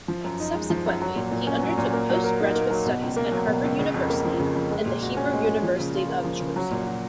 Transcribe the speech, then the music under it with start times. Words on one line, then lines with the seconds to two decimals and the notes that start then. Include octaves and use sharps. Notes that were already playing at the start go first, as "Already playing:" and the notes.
Subsequently, he undertook postgraduate studies at Harvard University and the Hebrew University of Jerusalem.
0.08 F3
0.24 F#2
0.40 D#4
0.55 G#3
0.70 F3
0.86 F#2
1.02 F#3
1.16 A#2
1.31 A#2
1.47 C#4
1.63 F#3
1.78 A#2
1.93 A#3
2.09 F#3
2.24 A#4
2.40 D#4
2.55 A#3
2.70 F#3
2.86 B2
3.02 C#2
3.16 A#3
3.32 F#3
3.47 B2
3.64 C#2
3.79 C#3
3.94 F2
4.09 A#3
4.24 F3
4.40 C#3
4.56 F2
4.71 G#3
4.86 A#2
5.02 F#4
5.17 C#4
5.33 G#3
5.48 A#2
5.63 F3
5.79 C#3
5.95 F4
6.09 A#3
6.24 F3
6.40 C#3
6.56 F#3
6.71 A#2
6.87 F#4